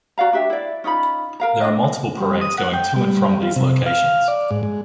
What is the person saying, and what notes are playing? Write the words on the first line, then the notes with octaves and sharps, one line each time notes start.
There are multiple parades going to and from these locations.
F#4 D5 F5 A#5
D4 G4 E5 G5
E4 D5
C#4 D#4 F4 B5
A#4 F5 A#5
D4 D#5
G3
D#6
F#5
G5
G3
F4
C3
F5
D5
G#2
G#3